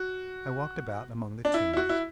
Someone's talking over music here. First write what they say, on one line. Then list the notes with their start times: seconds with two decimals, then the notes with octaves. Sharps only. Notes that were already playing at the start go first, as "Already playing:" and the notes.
I walked about among the tombs.
Already playing: F#4
1.45 D4
1.54 E4
1.73 E4
1.77 F#4
1.89 E4